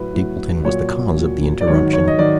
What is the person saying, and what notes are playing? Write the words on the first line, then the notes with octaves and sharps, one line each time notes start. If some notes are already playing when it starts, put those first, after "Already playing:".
Stapleton was the cause of the interruption.
Already playing: A2 F#3 B4
A2 F#3
A#2 F#3 C#5
A#2 F#3
D5
G#2 D#3 F#3 C#5
C#5
D#5
D#3 F#3 D5